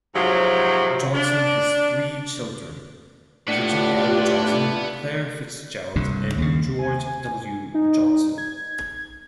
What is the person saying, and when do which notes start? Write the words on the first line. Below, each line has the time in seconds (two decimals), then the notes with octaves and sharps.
Johnson has three children: Virginia L. Johnson, Claire Fitzgerald, and George W. Johnson.
0.15 G#2 C3 F3 F#3
1.14 D4
3.48 A2 D4 F4 G4 B4 F#5
5.96 C2 G2 D3
6.38 D#2 C#3
6.79 G#5
7.74 D#4
8.38 G#6